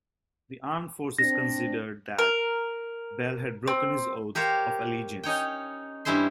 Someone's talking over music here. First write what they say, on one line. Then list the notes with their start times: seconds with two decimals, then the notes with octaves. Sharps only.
The armed forces considered that Bell had broken his Oath of Allegiance.
1.19 C4 D4 A#6
2.19 A#4
3.68 C4
4.35 G4 A#4 C5 C#5 F5
5.23 C#4 D#4 C#5 G5
6.05 G2 C#4 E4 C5 C6